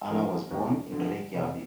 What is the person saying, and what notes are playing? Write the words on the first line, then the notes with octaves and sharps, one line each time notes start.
Anna was born in Reykjavik.
D3 F3 A#4
D#2
D3 F3
F1